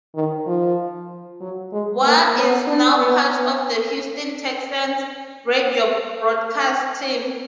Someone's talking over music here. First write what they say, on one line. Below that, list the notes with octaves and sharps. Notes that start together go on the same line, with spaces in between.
Ware is now part of the Houston Texans' radio broadcast team.
D#3
F3
F#3
G#3
A#3
B3
D4
B3
B3